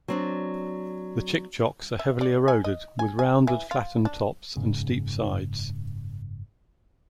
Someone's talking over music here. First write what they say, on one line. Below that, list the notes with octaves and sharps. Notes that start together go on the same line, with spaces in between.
The Chic-Chocs are heavily eroded, with rounded, flattened tops and steep sides.
F#3 C4 D4
E5
D5
G#5
D#5
G#5
G#5
E3
F4
D4
F#1 G#2 C#3